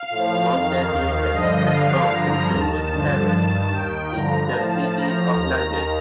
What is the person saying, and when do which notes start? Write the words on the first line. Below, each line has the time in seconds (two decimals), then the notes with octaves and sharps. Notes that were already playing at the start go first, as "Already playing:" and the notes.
Montefiore was born to Jewish parents in the City of London.
Already playing: F5
0.09 A2 F3
0.50 F2 D#3
0.90 D#2 D#3
1.30 G2 D3 F3 D#5
1.70 G2 D3 F3 F5
2.11 G2 D3 F3 A#5
2.51 D#2 D#3 A5
2.91 G2 D3 F3
3.32 G2 D#3 A5
3.72 D#2 D#3 G5
4.12 G2 D3 F3 A#5
4.53 A2 F3 A5
4.93 A2 F3 A#5
5.34 D#2 D#3